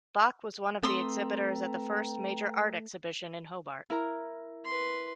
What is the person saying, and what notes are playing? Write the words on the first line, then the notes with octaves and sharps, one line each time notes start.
Bock was one of the exhibitors at the first major art exhibition, in Hobart.
A3 C4 B4 G5 A#5 C6 D#6 E6
E4 A#4 A#5
B4 C6